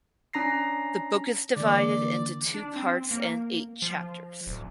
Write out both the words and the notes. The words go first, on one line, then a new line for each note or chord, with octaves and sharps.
The book is divided into two parts and eight chapters.
C#4 D4 A#5 A#6 C7
D3 E3 A#3 D5
D4
C4
A#3
F3
D1